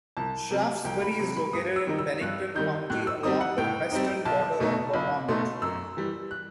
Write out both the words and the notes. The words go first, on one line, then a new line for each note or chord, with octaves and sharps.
Shaftsbury is located in Bennington County along the western border of Vermont.
C2 A5
C3 F#3
C2 G5
B5
C3 F#3 B5
B5
G2 D#6
E6
D#3 G3 D#4
E6
G2 F#6
D#3 G3 D#4 G6
A2 F#6
E6
G3 C4 D#4 D#6
F#5
A2 G5
G3 C4 D#4
B1 A5
B2 A3 D#4
B1 B5
B2 A3 D#4 C6
F#2 E6
E3 G3
F#6